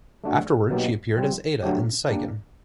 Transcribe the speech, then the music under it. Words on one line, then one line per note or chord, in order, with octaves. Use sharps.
Afterwards she appeared as Aida in Siegen.
A3 D4 F#4
B2 F#3 A#3 D#4 G4
G3 C4 F4
D3 F#3 A3 D4 G4
A#3 D4 G4